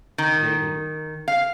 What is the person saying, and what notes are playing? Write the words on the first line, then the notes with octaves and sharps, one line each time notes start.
They were
D#3
F5